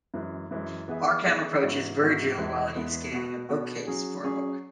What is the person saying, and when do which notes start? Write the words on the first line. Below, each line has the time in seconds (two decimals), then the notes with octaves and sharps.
Arkham approaches Vergil while he is scanning a bookcase for a book.
0.14 F#2 E3 G#3
0.51 F#2 E3 G#3
0.88 E3 B3 G#4 E5
1.25 E3 B3 G#4 E5
1.62 G#2 E3 B3 F#4
2.00 G#2 E3 B3 F#4
2.37 E2 E3 G#3 B3
2.75 E2 E3 G#3 B3
3.12 B2 B3 F#4
3.49 B2 B3 F#4
3.87 F#3 C#4 G#4
4.24 F#3 C#4 G#4